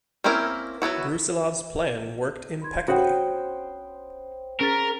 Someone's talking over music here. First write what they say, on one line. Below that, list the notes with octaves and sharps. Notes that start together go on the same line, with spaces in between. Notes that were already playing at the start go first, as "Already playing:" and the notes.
Brusilov's plan worked impeccably.
A#3 C4 C#4 E4 A#4
F#3 B3 E4 F#4
B5 C6 G#6
C#4 F#4 C5 C#5 F#5 G5 B5 D#6
C#4 G#4 A#4 A6 B6